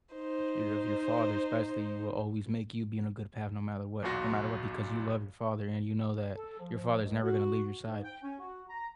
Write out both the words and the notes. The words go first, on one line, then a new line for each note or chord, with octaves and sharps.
your of your father, especially, will always make you be in a good path no matter what, no matter what because you love your father, and you know that your father's never gonna leave your side
D#4 C5
B1 E2 A#2 F4 F#4 A#6
A4
F3
F3
C#2
F#4
G#2
G5
C#4
F#4
A#5